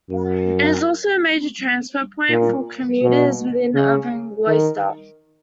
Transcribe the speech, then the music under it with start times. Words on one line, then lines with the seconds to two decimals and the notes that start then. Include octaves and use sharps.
It is also a major transfer point for commuters within urban Gloucester.
0.10 F#2
2.29 A#2
3.02 B2
3.74 C#3
4.47 D#3